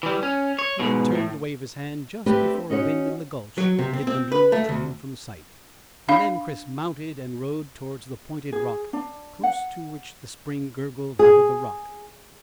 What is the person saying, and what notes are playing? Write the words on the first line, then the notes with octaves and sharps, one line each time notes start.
Ned turned to wave his hand just before a bend in the gulch hid the mule-train from sight, and then Chris mounted and rode towards the pointed rock close to which the spring gurgled out of the rock.
E3 G3
C#4
C#5
G#2 B2
A2
A3 C4 D4 G4 B4
C#4 D#4 F#4 C5 C#5
F#3
C3
C4
C4
B4
A3
D2
D4 F5 B5
G#4
D4
F#5
G#4